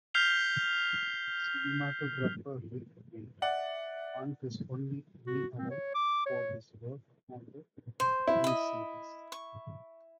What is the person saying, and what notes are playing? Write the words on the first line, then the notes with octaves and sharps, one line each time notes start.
Cinematographer Ric Waite won his only Emmy Award for his work on the miniseries.
F6 G6 B6 C7 F7 G7
D5 E5 F#5
F#4
C4
C#5
D6
C#5
C5
E4
D#5 B5
C#6